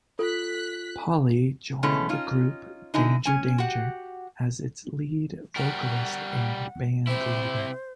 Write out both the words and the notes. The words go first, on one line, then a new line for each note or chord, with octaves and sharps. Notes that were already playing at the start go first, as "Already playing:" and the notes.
Poley joined the group Danger Danger as its lead vocalist and bandleader.
F4 A4 F#6 B6
B2 G#3 A3 C#4 E4
C#4 D#4 F4
D3 D#4 E4 D#5 G#5
C#4 G#5
F#4 G4 F#5
G3 A#4 F#5
C3 E4 C5